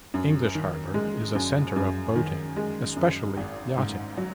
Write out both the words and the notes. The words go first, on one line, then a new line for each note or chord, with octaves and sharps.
English Harbour is a centre of boating, especially yachting.
F#2
D#3
G#3
F#2
F#2
D#3
G#3
F#2
G#1
G#2
F#3